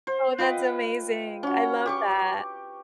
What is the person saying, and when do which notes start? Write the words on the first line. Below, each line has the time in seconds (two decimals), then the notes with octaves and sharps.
Oh, that's amazing, I love that.
0.07 C5
0.38 F4 B4 D#5 G5
1.43 C#4 F#4
1.86 G4 C#6 D6